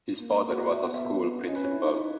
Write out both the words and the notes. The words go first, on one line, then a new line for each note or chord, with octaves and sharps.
His father was a school principal.
A#3
F#4
D#5
E5
B3 F#5
E5
E5
C#4 D#5
B4
C#5
E4
D#4